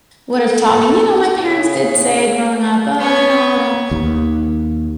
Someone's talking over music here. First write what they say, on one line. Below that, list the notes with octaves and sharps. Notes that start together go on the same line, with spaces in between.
would've taught me, you know, my parents did say growing up, "Oh, you know, don't
A4
C#3
B3 C#5
D#2